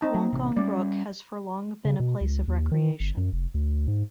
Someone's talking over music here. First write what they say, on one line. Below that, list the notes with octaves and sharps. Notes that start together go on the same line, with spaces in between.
Wongong Brook has for long been a place of recreation.
C4 D#4 A5
F#3
A1 C3
G3 C#4 D5
C#3
B2
C#2
D#2
D#3
G1
F#2
F1
D2
G#2